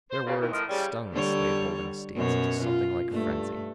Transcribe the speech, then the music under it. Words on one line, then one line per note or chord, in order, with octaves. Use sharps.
Their words stung the slave-holding States to something like frenzy.
C5
A#2 C#3 F4 G4
D#3 E3
A2 F3 A#4 D#5
C#3 G3
D3 G3 C#5
F#2 B2 C#5
F4
G2 A3